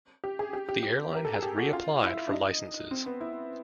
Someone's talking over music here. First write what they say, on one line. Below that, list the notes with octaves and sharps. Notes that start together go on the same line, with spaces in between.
The airline has re-applied for licences.
G4
G#4
G4
G4
G4
A#4
A4
G#4
G4
F#4
F4
E4
D4
D#4
C4
B3
E4